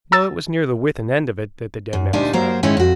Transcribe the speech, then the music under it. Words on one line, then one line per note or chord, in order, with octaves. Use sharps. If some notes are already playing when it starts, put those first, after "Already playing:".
"No; it was near the Withan end of it that the dead man was found."
A#5 E6 A6
F#2
D2 A#2 G3 D4 D#4 C5
F#3 A#3 A#4 C5
G#2 D#3 G#3 C#4 E4
F2 F#4